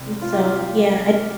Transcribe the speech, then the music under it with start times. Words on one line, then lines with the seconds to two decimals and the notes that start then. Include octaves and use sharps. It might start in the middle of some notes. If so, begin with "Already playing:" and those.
And, so, yeah I'd
Already playing: C2 C3
0.22 F4
0.33 G4
0.44 F4